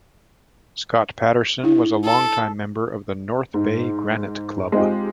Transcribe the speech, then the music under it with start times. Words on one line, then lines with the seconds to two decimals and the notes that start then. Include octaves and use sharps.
Scott Patterson was a longtime member of the North Bay Granite Club.
1.63 D4 E4
2.04 A4
3.54 G#2
4.72 G#3 C4 D#4 F4 G4